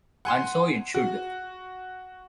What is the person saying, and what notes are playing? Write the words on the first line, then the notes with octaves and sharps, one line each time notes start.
And so it should.
F#5 G#5 C6
F#4